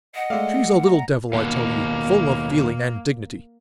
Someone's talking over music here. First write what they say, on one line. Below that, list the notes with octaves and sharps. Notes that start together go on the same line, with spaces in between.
She's a little devil, I tell you, full of feeling and dignity....
D#5 F#5
G#3 A3 D5 E5 F5
A#5
D#2 B2 A#3